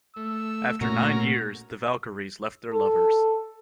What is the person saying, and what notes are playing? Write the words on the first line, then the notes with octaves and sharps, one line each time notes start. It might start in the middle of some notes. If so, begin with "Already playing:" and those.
After nine years, the Valkyries left their lovers.
A3 E6
A#2 A3 C#4 F#4 A#4 A#5
A4